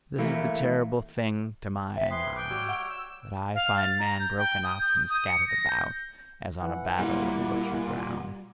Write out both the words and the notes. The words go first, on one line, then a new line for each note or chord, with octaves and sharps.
This is the terrible thing to mine eye, that I find man broken up, and scattered about, as on a battle- and butcher-ground.
E3 A3 A#3 E4
C5 E5 G5 B6
G#4 B4 G5 C6 D#6 C7
G5 D6 F#6 G6
G3 F#4 C#5 E6
F#5
E6
F5
A6
A#5
G6
G5
D#6
G6
D#6
C#7
A#6
G6
E3 F#5
A#2 G3 E4